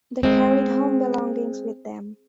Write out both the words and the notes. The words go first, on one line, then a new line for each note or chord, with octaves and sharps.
They carried home belongings with them.
G#3 C4